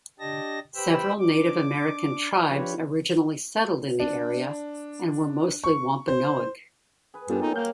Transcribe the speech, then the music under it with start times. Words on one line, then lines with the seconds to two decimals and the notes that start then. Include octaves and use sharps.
Several Native American tribes originally settled in the area and were mostly Wampanoag.
0.19 D4 G4 D#5 A5 A#6
0.75 G4 B4 C5 G5 B5 E6
1.20 D4 D6
2.48 F3 D4 F4 G4 B4 C#5
4.00 D4
5.64 C#6
6.08 C5
7.14 G#4 B4
7.30 G2 A#2 C#3 G3 B3 F4 A4
7.42 F#3 G3 D#4
7.56 A#3 F5 G6